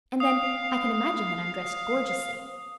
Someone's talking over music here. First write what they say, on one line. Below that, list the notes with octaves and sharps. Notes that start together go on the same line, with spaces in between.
And then I can imagine that I'm dressed gorgeously.
F5 D#6